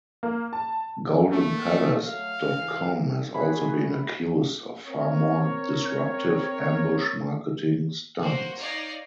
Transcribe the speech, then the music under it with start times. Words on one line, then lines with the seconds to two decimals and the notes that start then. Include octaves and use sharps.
GoldenPalace dot com has also been accused of far more disruptive ambush marketing stunts.
0.23 A#3
0.53 A5
1.31 A3 A#3
2.04 F#3 A3 F5
2.40 G#2 E3
3.34 A#3 E4 F#4 G#4 E5 B5
4.87 C4 A#4 C#5
8.21 A#3 F#4 C5
8.59 D#4 C#5 D5 F5 A#6 C7